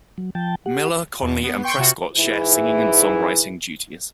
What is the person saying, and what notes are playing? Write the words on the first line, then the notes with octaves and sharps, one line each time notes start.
Miller, Conley and Prescott share singing and songwriting duties.
F#3
F3 G5 A5
G4 F#5
E2
B3
G5 C6 C#6 G6
C3 F4 F#4 C#7
G#2 E3 E4 G#4 B4